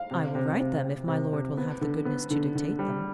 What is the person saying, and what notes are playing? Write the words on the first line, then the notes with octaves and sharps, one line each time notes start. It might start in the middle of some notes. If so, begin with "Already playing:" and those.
"I will write them, if my lord will have the goodness to dictate them."
Already playing: F5
C3
C3
C3
C3
C3
C3
B3
D3
B3
D3
D3
G3